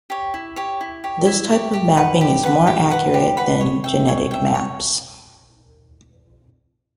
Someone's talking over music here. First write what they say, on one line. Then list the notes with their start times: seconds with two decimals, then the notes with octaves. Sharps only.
This type of mapping is more accurate than genetic maps.
0.10 G4 C#5
0.34 E4
0.56 G4 C#5
0.81 E4
1.04 G4 C#5
1.26 E4
1.50 G4 C#5
1.73 G4
1.97 B4 F#5 B5
2.21 G4
2.43 B4 F#5 B5
2.67 G4
2.91 B4 F#5 B5
3.14 G4
3.37 B4 F#5 B5
3.61 C#5
3.84 E5 G5
4.08 C#5
4.31 E5 G5
4.55 C#5